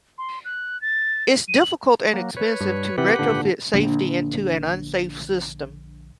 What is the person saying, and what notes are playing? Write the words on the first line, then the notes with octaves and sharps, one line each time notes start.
It's difficult and expensive to retrofit safety into an unsafe system.
C6
F#6
A6
D#7
F#7
F#3 A#3
B4 C#5
G2
C3 E3 G4 B4 F#5
G#1 A#2 D3
A#1 D3